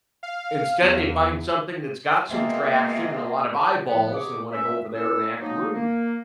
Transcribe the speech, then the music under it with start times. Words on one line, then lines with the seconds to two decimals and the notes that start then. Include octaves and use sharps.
instead they find something that's got some traction and a lot of eyeballs, and they wanna go over there and act rude.
0.23 F5
0.82 E2
2.30 B2 G#3 A#3 C4 F4 E5
3.87 F2 A2 F3 B3
4.13 B2 F#3 G4 G#4 C#6 D6
4.52 C#4 B4 E5
4.94 C#4 E4 A4 E6
5.40 F3 F#3 G#3 A#3 D#4
5.74 A#3